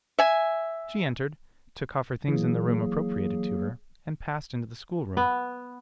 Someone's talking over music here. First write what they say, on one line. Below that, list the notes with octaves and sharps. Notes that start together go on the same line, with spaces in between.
She entered, took off her things in the room appropriated to her, and passed into the schoolroom.
E5 G#5
E3 F#3 A#3 G#4
B3